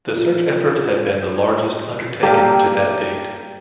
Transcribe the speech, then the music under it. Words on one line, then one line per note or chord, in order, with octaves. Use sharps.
The search effort had been the largest undertaken to that date.
F4
G3 A#3 G4 A4 G5 A#5